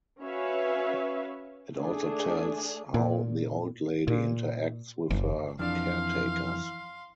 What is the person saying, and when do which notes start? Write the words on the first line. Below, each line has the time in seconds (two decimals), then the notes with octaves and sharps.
It also tells how the old lady interacts with her caretakers.
0.21 C#4 F#4 B4 C#5 E5 F5
1.74 A3 D4 G#4
2.94 A#2
4.08 A#2
5.11 F#1
5.59 F2 E3 D4 F5 C6 F6